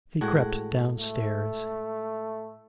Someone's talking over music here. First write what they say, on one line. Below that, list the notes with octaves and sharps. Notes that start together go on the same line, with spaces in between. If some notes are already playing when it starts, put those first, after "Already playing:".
He crept downstairs.
A2 G#3 F#4
A3